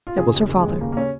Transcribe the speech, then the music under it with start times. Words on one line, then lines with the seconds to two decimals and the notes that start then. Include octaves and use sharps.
It was her father.
0.07 F4
0.18 C#3 G#4
0.34 D#2
0.49 C#3
0.60 G#3
0.66 D#2
0.81 C#3 A#3
0.92 A#3
0.97 C#4